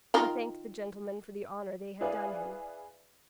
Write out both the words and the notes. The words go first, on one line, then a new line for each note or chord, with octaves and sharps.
He thanked the gentlemen for the honor they had done him.
D#3 F4 A#4
E4 G#4 B4 D5 F5